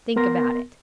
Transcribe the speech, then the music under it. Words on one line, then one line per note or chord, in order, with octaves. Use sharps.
Think about it.
B3 A#4 C6 A#6